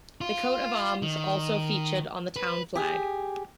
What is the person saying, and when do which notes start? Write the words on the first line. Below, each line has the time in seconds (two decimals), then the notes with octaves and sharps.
The coat of arms is also featured on the town flag.
0.21 F4
1.02 D#3
2.36 B4
2.75 G4 G#4